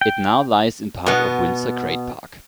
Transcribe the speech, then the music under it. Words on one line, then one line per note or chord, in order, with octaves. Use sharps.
It now lies in part of Windsor Great Park.
G5
B2 B3